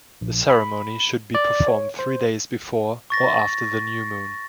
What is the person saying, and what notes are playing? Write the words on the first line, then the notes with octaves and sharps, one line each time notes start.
The ceremony should be performed three days before or after the new moon.
A#1
B5
D5
C#5
C5
C#6 A6 A#6